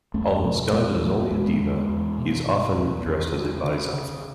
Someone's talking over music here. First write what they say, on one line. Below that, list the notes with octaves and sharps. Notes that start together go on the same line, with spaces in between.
Although Skanda is only a deva, he is very often addressed as a bodhisattva.
E2 A3 C#4
B2 F#3 A3
E2 G#3 B3
B2 F#3 A3
E2 G#3 B3
E2
E2
B2
B2
E2
E2
C#3
C#3
C#3